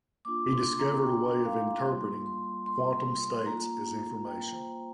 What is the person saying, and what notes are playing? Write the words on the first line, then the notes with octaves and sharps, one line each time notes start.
He discovered a way of interpreting quantum states as information.
A#3 D4 F4 D6
C6
A#5
G5
F5
G3 A#3 F4 C6
C6
C6
A#3 F4 A#5
G5
C5